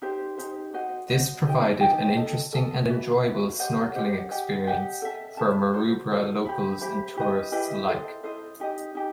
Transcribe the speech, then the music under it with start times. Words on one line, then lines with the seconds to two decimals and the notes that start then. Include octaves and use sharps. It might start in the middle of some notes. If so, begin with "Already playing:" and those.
This provided an interesting and enjoyable snorkeling experience for Maroubra locals and tourists alike.
0.02 D#4 G4 C5
0.37 D#4 G4 C5
0.74 F#4 C5 D#5 F#5
1.09 F#4 C5 D#5 F#5
1.45 D#4 G4 D#5 G5
1.81 D#4 G4 D#5 G5
2.17 A4 D#5 A5
2.53 A4 D#5 A5
2.88 F#4 B4 E5
3.23 F#4 B4 E5
3.59 G4 C5 D#5 F#5
3.95 G4 C5 D#5 F#5
4.31 G4 D#5 F#5
4.67 G4 D#5 F#5
5.02 A4 E5 A5
5.37 A4 E5 A5
5.73 F#4 A4 C5
6.10 F#4 A4 C5
6.45 G4 C5 E5 B5
6.81 G4 C5 E5 B5
7.16 E4 G4 B4 D#5
7.52 E4 G4 B4 D#5
7.88 E4 A4 C5 D#5
8.23 E4 A4 C5 D#5
8.60 D#4 G4 D#5
8.95 D#4 G4